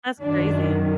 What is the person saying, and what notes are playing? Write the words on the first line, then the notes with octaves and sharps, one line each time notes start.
That's crazy.
F#2 D#3 D4